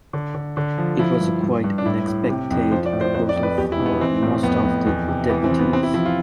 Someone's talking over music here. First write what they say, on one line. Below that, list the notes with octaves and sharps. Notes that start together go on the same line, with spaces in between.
It was a quite unexpected proposal for most of the deputies.
D3
D3
D3
F3
F3 E4
G2
G2
G2
D4
A2 E4
A2
C3
F2
F3 C5
D5
A2
C5
F2 C5
D5
F2
B4
E2 G4
E4
B2
B3
E3 C4
A2
F2 B3
F2
E2
C3
E3 B3
C4
E3
B3
C3 C4
E4
F3 E4
F4